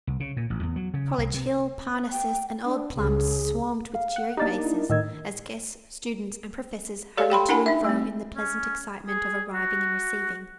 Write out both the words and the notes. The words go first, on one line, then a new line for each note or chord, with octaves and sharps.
College Hill, Parnassus, and old Plum swarmed with cheery faces, as guests, students, and professors hurried to and fro in the pleasant excitement of arriving and receiving.
C2
C#3
A#2
A1
E2
F#3
C#3
C2
C3
G5
D4
C#2 G#4
F5
F#5
A#3 D4 D#4 G4 A6
E4
A2 D#3 D#5 E6 G#6
G4 A4 C#5 D5 F5
G4 G5 B5 C6
D4 E4 A#4 F#5 G#5 B5
D#4 E5
A3 C4
C#4
G#4
F#4